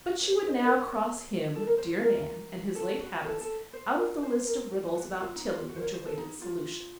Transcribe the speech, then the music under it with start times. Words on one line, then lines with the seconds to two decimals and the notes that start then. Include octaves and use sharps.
But she would now cross him--dear man--and his late habits, out of the list of riddles about Tilling which awaited solution.
0.21 C#5
0.32 C5
0.47 C5 D#5
0.64 A#4 C#5
1.56 A4
1.67 A#4
1.78 C5
2.03 A#4
2.75 A4
3.00 F#4
3.25 A4
3.41 A4
3.73 C5
3.97 A#4
4.23 C5
4.47 A#4
4.95 F#4
5.14 F#4
5.20 F4
5.36 D#4
5.52 F4
5.69 F#4
5.76 C5
5.81 A#4 C#5
5.93 C5
6.06 A4
6.17 D#4
6.42 F4